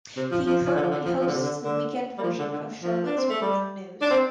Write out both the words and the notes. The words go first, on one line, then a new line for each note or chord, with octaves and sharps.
He currently hosts the weekend version of "Charlotte's Morning News".
C3
F3
F3
F3
D3
F3
D3
F3
F3
D3
C3
D3
D3
G3
F3
D3
D3
F3
D4
C4
A3
G3
D4
C4